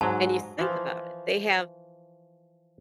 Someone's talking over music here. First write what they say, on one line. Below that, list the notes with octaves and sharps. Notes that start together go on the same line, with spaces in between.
and you think about it, they have
G#2 F#3 A5
E3 F3